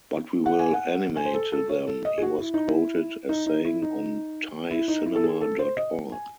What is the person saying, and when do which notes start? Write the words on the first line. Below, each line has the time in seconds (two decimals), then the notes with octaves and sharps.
But we will animate them, he was quoted as saying on ThaiCinema dot org.
0.46 F#5
0.59 G#5
0.74 F#5
1.16 G#5
1.25 C5
1.34 A4
1.52 A4
1.69 C#5
1.87 A4
2.05 D#5
2.18 G#4
2.22 F#4
2.40 E4
2.54 D#4
2.68 E4
3.29 D#4
3.47 D#4
3.65 E4
3.82 D#4
4.71 E4
4.88 D#4
5.06 E4
5.15 A4
5.24 G#4
5.41 A4
5.59 C5
5.77 D#5
6.12 G#5